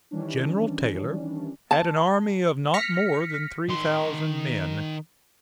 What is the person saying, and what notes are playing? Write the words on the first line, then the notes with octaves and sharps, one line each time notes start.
General Taylor had an army of not more than three thousand men.
D#3 E3 G3 C#4 D4
A5
F6 A#6 B6 C#7
D#3 C6